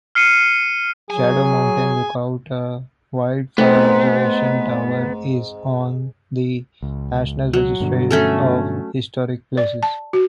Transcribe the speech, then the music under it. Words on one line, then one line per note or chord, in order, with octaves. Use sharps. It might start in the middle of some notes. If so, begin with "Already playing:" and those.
Shadow Mountain Lookouta wildfire observation toweris on the National Register of Historic Places.
F6 C7 C#7 D#7
F#3 G#4 G#5
G#2 A3 B3 C4
C#2
F#3
G2 B2 D3
A3 C#4 A4
D5
A5
F#4